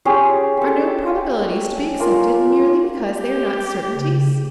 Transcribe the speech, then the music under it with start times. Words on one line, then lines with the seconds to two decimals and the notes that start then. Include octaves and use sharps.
Are no probabilities to be accepted, merely because they are not certainties?
0.05 C#4 G4 G#4 C6
0.57 G4 A4
2.00 A#3 F4 A#4
3.17 G4
3.95 C#3